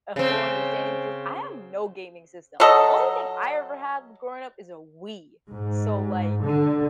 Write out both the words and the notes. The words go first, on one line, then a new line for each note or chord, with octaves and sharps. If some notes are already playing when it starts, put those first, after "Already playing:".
a full understanding, because I have no gaming system; only thing I ever had growing up is a Wii. So, like
C#3 C4
F#3 A4 D#5
G#2
D3